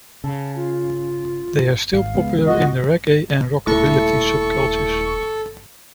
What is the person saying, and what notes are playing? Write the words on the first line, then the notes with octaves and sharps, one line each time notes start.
They are still popular in the raggare and rockabilly subcultures.
C#3 A5
F4
G#1 F5
C#2 G#3 B3
F4 F#4 D#5
D#1 A3 E4 A4 C#6